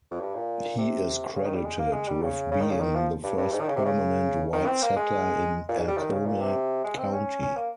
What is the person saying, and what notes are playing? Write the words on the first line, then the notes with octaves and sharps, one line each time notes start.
He is credited with being the first permanent white settler in Alcona County.
F2
G2
A#2
C3
C#3
D#3
G3
G#3
A#3
G#3
G3
C#3
C#3
D#3
C#3
D#3
F3
G2
G2
G#2
D#3
C#3
C3
C#3
D#3
C4
A#3
G#3
A#2
G#2
G3
D#3
C#3
A#2
C3
G#3
C4
C#4
C#4
A#3